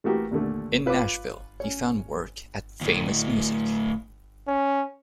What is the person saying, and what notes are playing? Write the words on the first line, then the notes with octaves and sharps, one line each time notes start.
In Nashville, he found work at Famous Music.
E3 A3 A#3 F#4 G4 A#4
D#2 A#2 D3 A3
F4 B4 C#5 F5 D6
C#4 C#5
D2 A2
C#4